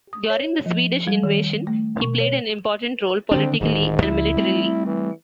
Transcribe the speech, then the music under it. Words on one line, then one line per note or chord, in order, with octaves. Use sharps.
During the Swedish invasion he played an important role politically and militarily.
D#6
C#5
F3
G3
D#3
A3
B2
C#5
D3 D#3 C4 D4
D1 G#2 D#3
C#2 F3 E4
G3 A3 C4
E3